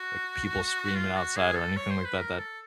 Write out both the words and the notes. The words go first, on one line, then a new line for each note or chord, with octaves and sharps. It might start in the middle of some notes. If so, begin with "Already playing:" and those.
like, people screaming outside or anything like that that
Already playing: F#4
F4
F#4
G#4
A4
C#5
C5
B4
A#4
A4